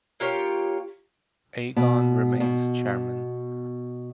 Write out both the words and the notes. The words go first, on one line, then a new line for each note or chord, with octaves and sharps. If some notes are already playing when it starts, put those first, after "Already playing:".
Agon remains chairman.
A#3 F4 G4 C#5
B2
B2